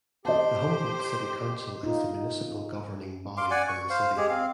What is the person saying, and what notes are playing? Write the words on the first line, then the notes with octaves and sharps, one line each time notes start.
The Humboldt City Council is the municipal governing body for the city.
G4 C5 D#5 A5
D#4 F4
F5 C6 D6
D5 F#5 G#5
C#6
C5 F5
G#3 G4 G#4
C4 F5